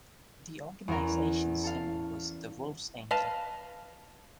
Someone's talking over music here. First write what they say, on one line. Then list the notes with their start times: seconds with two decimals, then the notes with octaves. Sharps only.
The organisation's symbol was the "Wolfsangel".
0.88 E2 C#4 A#4
1.64 A4 F5
3.11 B4 D#5 F5 A5